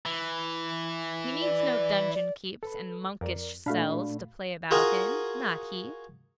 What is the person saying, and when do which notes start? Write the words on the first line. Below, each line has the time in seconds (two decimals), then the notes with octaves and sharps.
He needs no dungeon keeps and monkish cells to play about in--not he!
0.06 E3
1.42 D5
2.14 D5
2.63 A4 B4 B5
3.21 F2 A#4 D5
3.66 A#2 A3 D4 F#4 F5 B5
4.71 F4 F#4 G#4 A#4 A#5 D#6